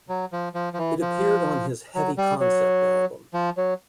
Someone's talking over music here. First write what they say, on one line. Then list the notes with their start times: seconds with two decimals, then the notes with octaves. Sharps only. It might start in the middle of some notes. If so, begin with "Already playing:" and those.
It appeared on his "Heavy Concept" album.
0.09 F#3
0.33 F3
0.55 F3
0.73 F3
0.78 E3
1.01 F3
1.95 F#3
2.18 G3
2.40 F#3
3.34 F3
3.57 F#3